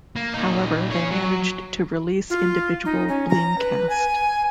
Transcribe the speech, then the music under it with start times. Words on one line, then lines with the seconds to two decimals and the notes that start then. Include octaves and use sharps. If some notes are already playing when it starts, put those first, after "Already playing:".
However, they managed to release individual Bleemcast!
0.16 A#3
0.34 A#2 D#4
0.90 G#4 C#5
1.11 F#3
2.30 F4
2.85 D#4
3.08 C#4
3.29 A#5
3.58 B4
3.89 G#5